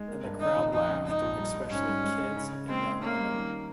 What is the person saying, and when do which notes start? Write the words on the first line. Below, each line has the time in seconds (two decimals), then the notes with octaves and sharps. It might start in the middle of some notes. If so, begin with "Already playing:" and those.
And the crowd laughed, especially kids and young women.
Already playing: G#3
0.08 A#3
0.24 G2
0.40 D#3 D#4
0.57 A#1
0.73 F2 D#4
0.89 C#3
1.06 G#2 D#4
1.22 A#1
1.38 G3
1.55 G3
1.71 G#2 C#4
1.87 G3
2.03 G#3
2.20 G#3
2.36 C#3
2.53 C#3
2.69 G#3 C4
2.85 G#3
3.02 A#3 C#4
3.17 G3
3.34 D#3